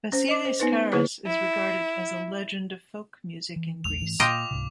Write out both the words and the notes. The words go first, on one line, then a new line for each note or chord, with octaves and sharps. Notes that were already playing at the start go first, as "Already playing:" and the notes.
Vasilis Karras is regarded as a legend of folk music in Greece.
C#4 C5
D#5 D6
C5
B3 D#4 B4
D3 A#3 E4 G#4 B4 C#5
E4
E3
A#1 E2 G#3 F7
G#2 E3 A3
A#2 A#3 F4 D#5 G5 D6
C#2 G#2 C3